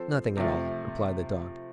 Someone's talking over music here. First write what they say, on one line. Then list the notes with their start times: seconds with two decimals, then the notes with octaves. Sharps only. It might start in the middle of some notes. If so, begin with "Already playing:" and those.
"Nothing at all," replied the Dog.
Already playing: F3 C4 A4 C5
0.37 C3 F3 A3